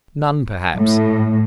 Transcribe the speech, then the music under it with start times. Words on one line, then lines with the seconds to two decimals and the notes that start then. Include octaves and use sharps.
None, perhaps!
0.76 A2